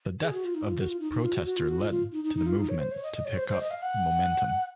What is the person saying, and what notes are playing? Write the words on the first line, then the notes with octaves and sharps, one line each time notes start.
The death of this protester led to the Movement to pick up momentum.
G#4
F#4
F4
D#4
F4
F#4
F4
D#4
D#4
F4
F#4
F#4
F4
F#4
F4
F4
D#4
D#4
D#4
F4
D#4
C#5
C5
C#5
D#5
D#5
C#5
C5
C5
D#5
F5
F#5